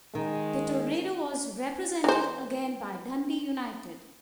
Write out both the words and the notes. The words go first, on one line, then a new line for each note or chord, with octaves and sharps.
The Tornado was represented again by Dundee United.
D#3 G#3
E3 C5